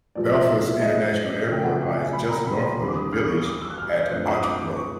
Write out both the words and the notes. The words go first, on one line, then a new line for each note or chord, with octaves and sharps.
Belfast International Airport lies just north of the village at Aldergrove.
A#2 F3 G#3 D5
E5
E5
E5
D#5
C#3 F3 A3 C#4 G5
F#5
G5
G#5
B5
A#5
B5
C6
D#2 D3 G3 C4 B5
D6
D#6
F6
C#6
D#6
D6
E6
F#6
F6
G6
F#2 D3 F3 A3 C4 F#6
D#6
D6
C#6